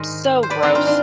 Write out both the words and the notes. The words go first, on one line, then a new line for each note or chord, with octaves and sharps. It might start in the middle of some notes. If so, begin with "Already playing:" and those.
So gross.
Already playing: G#2 D#3 C5 D#5
C5
B4 D5
C4 D#4
D4 F4
D4 F4